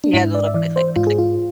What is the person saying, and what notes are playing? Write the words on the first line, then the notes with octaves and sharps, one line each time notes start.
Yeah, the little click, click, click, click.
D4
G#2 E4
D5
E5
E3 D5
C5
G#2 F4
G#4
F4